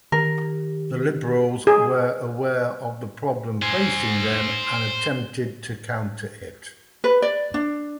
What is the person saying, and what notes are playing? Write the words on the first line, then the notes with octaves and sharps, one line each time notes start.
The Liberals were aware of the problem facing them, and attempted to counter it.
D#3 G4 A#4
G#4
C5 G#5
B4
D5
D4